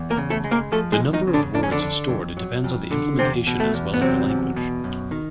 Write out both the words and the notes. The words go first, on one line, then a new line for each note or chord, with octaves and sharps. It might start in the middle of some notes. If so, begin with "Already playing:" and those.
The number of words stored depends on the implementation as well as the language.
Already playing: E2
A#3 A#4
C#3
A3 A4
G#3
A#3 A#4
F3 A3 A4
G#3 G#4
E2
D#3 D#4
C#3
D3 D4
F2 D4
C#4
D3 D4
D3
F2
F#3
F2
D3
E2 C3 C4
B2
A3
E2
B3
C3 F#3 C4
E2
B2
F#2
D#3